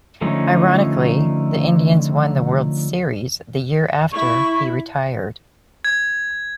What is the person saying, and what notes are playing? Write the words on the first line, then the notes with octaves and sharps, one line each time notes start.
Ironically, the Indians won the World Series the year after he retired.
D3 F3 A3 C#4 D#4
E4 E5 C#6
G#6